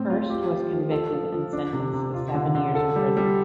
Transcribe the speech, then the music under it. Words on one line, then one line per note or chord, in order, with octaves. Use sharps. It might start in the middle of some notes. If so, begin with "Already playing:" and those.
Hearst was convicted and sentenced to seven years in prison.
Already playing: A2 C4
F4
G4
F3
F3
A4
F3
F3
D4
C3
C3
F4
D3
D3
A4
G3
G3